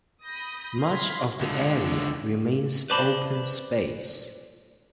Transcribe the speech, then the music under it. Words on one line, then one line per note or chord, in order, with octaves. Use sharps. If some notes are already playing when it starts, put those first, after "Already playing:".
Much of the area remains open space.
B5 D#6 G6 A#6
B5 C6 F6 G#6 A#6 B6
C#2 D3
B4 C5 D5 A5 B5